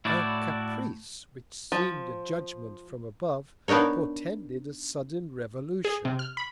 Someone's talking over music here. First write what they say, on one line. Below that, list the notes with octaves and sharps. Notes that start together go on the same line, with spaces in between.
Her Caprice, which seem'd a Judgement from above, portended a sudden Revolution.
A2 E4 F#4 D5
F3
B3 D4 D#4 A#4 C#5
G#4
C3
F6
B5